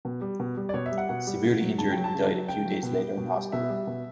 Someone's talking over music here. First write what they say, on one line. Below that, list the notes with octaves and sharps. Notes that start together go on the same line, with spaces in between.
Severely injured, he died a few days later in hospital.
B2
G3
B2
G3
D5
B2 C#5
E5
G3
F#5
B2 F#5
G3
C#3
F#3
C#3 A5
F#3 G5
A5
C#3
F#3
C#3 G5
F#3
B2
G3
B2
G3
B2 E5
G3
B2